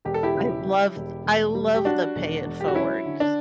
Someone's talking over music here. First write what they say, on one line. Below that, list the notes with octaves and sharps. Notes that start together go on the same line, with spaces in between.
I loved I loved the "pay it forwards."
E1 G4
A4
E4 G4
C#3
G3
E1
E1
G3
G4
F#3 D4 F#4
E1
E1
G4
F#4
F#3 C#4 E4
D3
D4